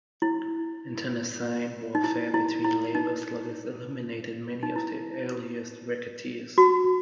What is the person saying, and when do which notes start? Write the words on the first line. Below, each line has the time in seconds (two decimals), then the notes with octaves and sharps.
Internecine warfare between labor sluggers eliminated many of the earliest racketeers.
0.22 E4
1.95 D#4
2.04 E4
2.34 E4
2.64 E4
2.95 D#4
4.63 D#4
4.76 E4
6.58 F#4